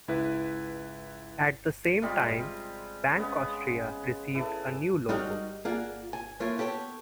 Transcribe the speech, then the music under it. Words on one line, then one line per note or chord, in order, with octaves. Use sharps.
At the same time, Bank Austria received a new logo.
C#2 E4 B4
C3 G3 G#3 F4
C#3 G#3 B3
E3 A4
G3 G#3 D#4 F#4 A#4 C#5
A#3 F4 G#4 D5 F#5
G#5
E3 A3 A#3 F4 C#5
B3 G4 A4 B4 C#5